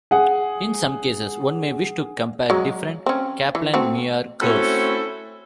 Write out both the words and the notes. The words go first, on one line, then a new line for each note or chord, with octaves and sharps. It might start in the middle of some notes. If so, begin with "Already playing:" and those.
In some cases, one may wish to compare different Kaplan-Meier curves.
G#4 F#5
F#3 G#3
C4 C#4
E3
A3 C4 F#4
A3 C4 C#4 E4 F#4 A4